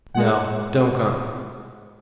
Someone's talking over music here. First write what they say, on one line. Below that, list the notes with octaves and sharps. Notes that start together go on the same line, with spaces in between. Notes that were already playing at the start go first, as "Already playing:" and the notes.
"No. Don't come!"
G#3 F#5